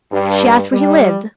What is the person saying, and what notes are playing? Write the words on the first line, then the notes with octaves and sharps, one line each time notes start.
She asked where he lived.
G2
G3